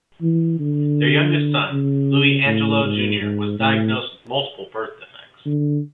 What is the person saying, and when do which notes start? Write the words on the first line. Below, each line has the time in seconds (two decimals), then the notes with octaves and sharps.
Their youngest son, Louie Angelo Junior was diagnosed with multiple birth defects.
0.22 E3
0.60 D3
1.71 C#3
2.47 A2
2.84 G#2
3.21 G#2
3.59 A2
5.46 D3